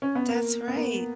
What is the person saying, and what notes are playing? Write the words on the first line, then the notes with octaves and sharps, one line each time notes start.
That's right.
C#4
B3
A#3
B3
A#3